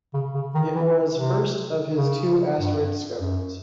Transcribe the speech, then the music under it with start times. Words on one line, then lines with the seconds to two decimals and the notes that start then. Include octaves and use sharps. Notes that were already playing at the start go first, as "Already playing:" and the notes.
It was first of his two asteroid discoveries.
0.14 C#3
0.34 C#3
0.55 D#3
0.75 E3
1.15 C3
1.97 C#3
2.59 G2
3.19 F#2